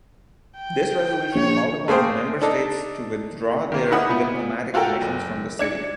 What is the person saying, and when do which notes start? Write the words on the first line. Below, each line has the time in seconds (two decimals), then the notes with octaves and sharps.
This resolution called upon member states to withdraw their diplomatic missions from the city.
0.58 G5
1.34 A#1 C#5
1.88 A3 A#3 G#4 C5 G5
2.42 D4 D#4 A4
3.72 D#3 A#3
3.91 D#4 E4 F#5 B5 D#6
4.09 A#2 B3
4.74 F4 F#4 A4 A#4 G5
5.01 F#1
5.59 D4 G#6 C#7